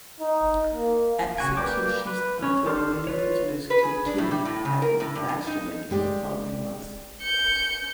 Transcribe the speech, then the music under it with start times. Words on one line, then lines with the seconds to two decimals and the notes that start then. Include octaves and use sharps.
Executions of the remaining prisoners continued at Majdanek in the following months.
0.20 D#4
0.74 A#3
1.38 C#3 F#4 G#5
1.57 A#3 B4 D5 G5 D6
2.07 B4
2.42 C#4 C#5
2.66 G4 A4 D5 C6 F6
3.07 F4 B4 C#5
3.70 B4
3.83 G#4
4.06 D4
4.18 A2
4.31 G3
4.45 A2
4.65 C#3
4.82 A#4
5.00 A2
5.15 G2
5.29 G2
5.47 D#4
5.91 G#3 G4 D5
7.22 G6 C#7